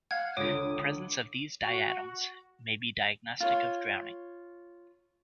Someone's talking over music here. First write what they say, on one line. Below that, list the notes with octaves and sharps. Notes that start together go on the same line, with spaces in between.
Presence of these diatoms may be diagnostic of drowning.
F5 F#5 G#6
C#2 D3 C#5 D6 D#6
F#4
F4 C#5